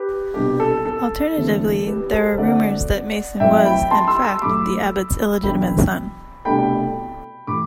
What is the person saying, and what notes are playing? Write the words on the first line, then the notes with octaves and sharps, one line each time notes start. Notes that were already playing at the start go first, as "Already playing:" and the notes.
Alternatively, there are rumours that Mason was, in fact, the abbot's illegitimate son.
Already playing: G4 B4
C2 B2 G3 B3 D4 G4
A4
A4
E2 D3 A3 C4 E4
G4 B4
A4 C5
D2 D3 A3 C4 D5 F#5
A2 F#3 C4 E4 E5 G5
G5 B5
A5 C6
C6 E6
C6 E6
A2 F#3 A3 B5 D6
E2 B2 F#3 B3 D4 G5 B5
C2 B2 A3 D4 G5 B5
A2 E3 B5 D6